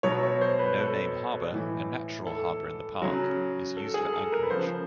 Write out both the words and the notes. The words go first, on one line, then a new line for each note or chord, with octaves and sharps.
No Name Harbor, a natural harbor in the park, is used for anchorage.
B2 F#3 C#5
C#5
C5
B4
A4
A2 E3
A4
C#3 F#3
A4
G#4
A4
A#4
B4
C#3 F3 C5